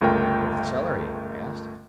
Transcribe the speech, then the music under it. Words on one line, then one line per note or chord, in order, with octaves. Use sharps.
"What is the salary?" I asked.
G1 C#2 A3 F4 A#4 G5